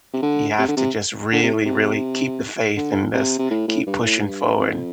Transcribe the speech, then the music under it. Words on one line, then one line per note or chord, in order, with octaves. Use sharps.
you have to just really, really keep the faith in this, keep pushing forward,
C3
D3
C3
D3
C3
D3
C3
A2
C3
D3
C3
C3
A2
A2
G2
A2
G2
F2